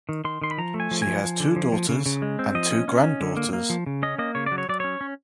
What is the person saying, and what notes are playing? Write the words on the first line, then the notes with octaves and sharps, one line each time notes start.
She has two daughters and two granddaughters.
D#3
D#3 C6
D#3 C6
B5
F3 A#5
A3
G#5
F3
F3 G#5
F3
D3
F3
F3
C#3
C#3
G#3
C4
F3 D#5
C#4
C#4
C#4
D3
A#3
A#3
F3
C#3
C#4 D#5
A#3 D#5
C#3 C#5
D5
F#3
C#5
F#3 D5
C#4 C#5
C#4